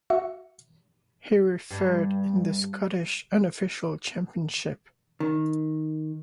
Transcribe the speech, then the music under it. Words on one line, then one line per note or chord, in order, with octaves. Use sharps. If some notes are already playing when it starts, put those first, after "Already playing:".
He refereed in the Scottish Unofficial Championship.
F#4 E5 C#7
G2
D#3